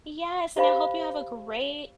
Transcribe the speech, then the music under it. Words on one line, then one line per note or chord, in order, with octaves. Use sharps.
Yes, and I hope you have a great
G4 C5 F5 B5 C#6